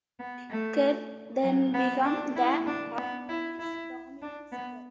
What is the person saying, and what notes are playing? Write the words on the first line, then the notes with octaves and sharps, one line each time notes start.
Kerr then became the Armoury's dominant figure.
B3
A3
F#3
B3
D4
E4
D4
B3
E4
E4
D4
B3